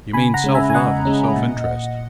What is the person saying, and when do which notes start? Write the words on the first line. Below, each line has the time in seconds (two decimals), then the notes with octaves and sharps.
You mean self-love and self-interest.
0.13 C#3 G#5 B5
0.34 F#5 A#5
0.44 G#3 C#4
0.54 E5 G#5
0.70 G#5
0.74 C#3 D#5 F#5
1.05 G#3 C#4
1.36 A#2